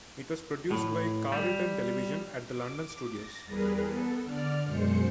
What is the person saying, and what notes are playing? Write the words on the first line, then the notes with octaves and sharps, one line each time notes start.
It was produced by Carlton Television, at The London Studios.
A2
G3
D6
A6 A#6
E2 G3 G#4 A#4 B4
B3 A4
D3 D5 F6
F#2 B2 G#3 C5 C#7